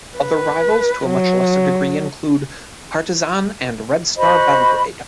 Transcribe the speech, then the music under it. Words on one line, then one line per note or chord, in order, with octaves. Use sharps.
Other rivals to a much lesser degree include Partizan and Red Star Belgrade.
B4
F#3
F#4 C5 D#5 B5